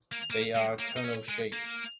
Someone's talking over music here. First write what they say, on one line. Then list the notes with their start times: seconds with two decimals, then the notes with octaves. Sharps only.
They are tunnel-shaped.
0.12 A#3
0.30 A#3
0.55 G#3
0.79 A#3
0.97 D#4
1.04 C#4
1.29 G#3
1.53 A#3